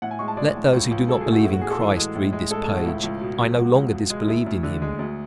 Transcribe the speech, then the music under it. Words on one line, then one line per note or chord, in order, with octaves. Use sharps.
Let those who do not believe in Christ read this page; I no longer disbelieved in him.
A2 F#5
G#5
G#3 C#6
A5
G#3 D5
A2
C#2
C#2
B2 A4
G#4
A3
F#4
A2 E4
F#4
A2 G#4
A4
E3
G#3
A2
G#3
G#3 A4
A4
A2
F#4
C#2 E4
C#2
B2
F#3
C#2 F#4
C#2
B2
G#3
D2 E4
D2
D3
G#3
D2